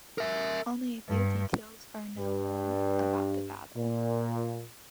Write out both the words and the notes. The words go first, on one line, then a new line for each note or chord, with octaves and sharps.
Only a few details are known about the battle.
A#4 E5
G2
G2
A#2